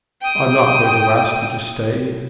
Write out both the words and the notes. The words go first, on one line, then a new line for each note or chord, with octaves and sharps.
I'm not going to ask you to stay.
G5 D#6